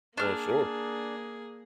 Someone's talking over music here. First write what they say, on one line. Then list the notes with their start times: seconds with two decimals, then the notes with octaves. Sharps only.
Oh, sure.
0.17 A#3 D4 G#4 F6